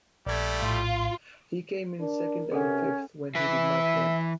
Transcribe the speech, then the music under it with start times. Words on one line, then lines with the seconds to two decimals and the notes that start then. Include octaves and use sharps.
He came in second and fifth when he did not win.
0.27 A#1 G3 A3 D5 G#6
0.62 A2 F4
1.99 D4 A#4
2.52 C3 C#4 G#4 A4 F#5
3.35 E3 B4 E5